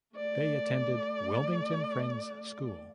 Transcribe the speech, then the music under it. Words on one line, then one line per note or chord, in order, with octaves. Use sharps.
They attended Wilmington Friends School.
A3 D5